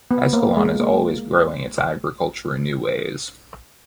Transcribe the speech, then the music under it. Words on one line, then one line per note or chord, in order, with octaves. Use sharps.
Escalon is always growing its agriculture in new ways.
B3
A#3
G#3
A#3